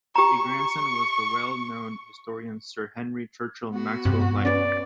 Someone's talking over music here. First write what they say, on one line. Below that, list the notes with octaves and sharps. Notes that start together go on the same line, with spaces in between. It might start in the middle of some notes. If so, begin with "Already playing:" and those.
A grandson was the well known historian Sir Henry Churchill Maxwell-Lyte.
G4 A#5 C#6
B3 F#4
G2 C3
C#4 B4 D5